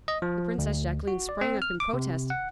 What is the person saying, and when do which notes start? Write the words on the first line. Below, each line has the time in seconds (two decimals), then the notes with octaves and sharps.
The Princess Jacqueline sprang up in protest.
0.08 D#5
0.22 F3
0.58 D2
1.08 F#4
1.29 D5
1.41 C4
1.62 F6
1.80 D6
1.93 C3
2.30 F#5